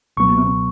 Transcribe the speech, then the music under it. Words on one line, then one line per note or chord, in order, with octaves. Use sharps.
you know?
C#2 B2 F#3 B3 C#6